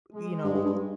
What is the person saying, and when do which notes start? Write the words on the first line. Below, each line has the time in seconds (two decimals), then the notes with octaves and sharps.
you know,
0.13 G#3
0.44 G2
0.54 G2
0.65 G2